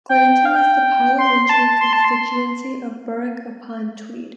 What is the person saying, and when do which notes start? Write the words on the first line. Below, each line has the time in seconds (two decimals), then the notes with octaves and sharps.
Glanton is in the parliamentary constituency of Berwick-upon-Tweed.
0.09 G5
0.45 F5
0.55 G5
1.18 C6
1.45 C6
1.49 A5
1.81 C6
1.93 A5
2.04 C6